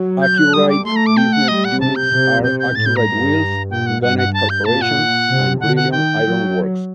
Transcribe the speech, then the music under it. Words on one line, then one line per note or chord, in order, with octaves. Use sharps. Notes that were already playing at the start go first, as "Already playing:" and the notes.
Accuride's business units are Accuride Wheels, Gunite Corporation, and Brillion Iron Works.
Already playing: F#3
G6
F#6
G3 D#6
D6
A3 C6
A#5
D6
G5
F#5
G3 D#5
F#5
C3 A5
G6
C3
C3 G6
G6
A2 A6
G6
A#5
G2
A#2 G5
F#5
G2 F#5
F#5
A5
G6
A#2 A5
F#5
C3
D3 F#5
F#5
D#3 G5
F#3